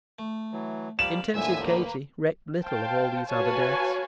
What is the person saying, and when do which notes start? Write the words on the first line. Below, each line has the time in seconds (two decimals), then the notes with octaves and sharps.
Intensive Katie recked little of all these other deaths.
0.19 A3
0.53 E3 F#3
0.99 F3 G3 A#3 D5 F5 B5 E7
1.34 D#2 A2 D3 F3 E5 G#5
1.63 A#3 B4
2.65 C5 F5 G5 A5
3.30 F#4 B4 C#5 F5 G#5 A5